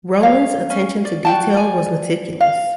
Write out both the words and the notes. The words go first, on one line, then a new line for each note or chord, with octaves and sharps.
Rowland's attention to detail was meticulous.
C#5 F5
C#4
D5
F#4 G5 A5
D5 G#5
F5